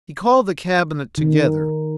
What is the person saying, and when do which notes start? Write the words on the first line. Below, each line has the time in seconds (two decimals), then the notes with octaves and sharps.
He called the Cabinet together.
1.18 D#3